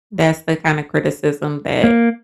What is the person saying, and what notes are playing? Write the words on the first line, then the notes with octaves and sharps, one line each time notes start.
That's the kind of criticism that
A#3